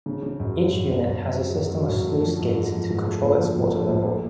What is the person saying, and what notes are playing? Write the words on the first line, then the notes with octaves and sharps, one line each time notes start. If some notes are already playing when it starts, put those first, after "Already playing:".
Each unit has a system of sluice gates to control its water level.
C#3
C#3
F#2
F#3
F#2
F#2
F#2
F#3
F#3
F#2
F#3
F#2
A3
F3
G#2
F3
F3
G#2
A3
A#1
F3
A#1
A3
A#1
A#1